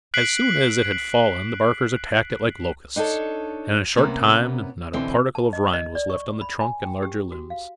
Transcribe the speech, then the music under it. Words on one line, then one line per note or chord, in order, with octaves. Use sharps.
As soon as it had fallen the barkers attacked it like locusts, and in a short time not a particle of rind was left on the trunk and larger limbs.
F#6 B6 C7 D7 F#7
D4 D#4 F#4 A4 C#5
C3 A#3 B3 C#4
B2 D3 E3 C4
A5
D#5
D#5
D5
C#6
B5
G#5
G5
G4
F#4
F5